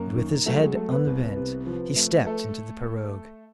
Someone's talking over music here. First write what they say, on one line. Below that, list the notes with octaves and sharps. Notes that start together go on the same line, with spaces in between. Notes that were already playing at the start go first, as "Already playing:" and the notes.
And with his head unbent, he stepped into the pirogue.
Already playing: F#2 A#3 A#4
D#3
F#3 A3 A4
G#3 G#4
A3 A4
B3 B4
C2
C3
F3
A3
A3 A4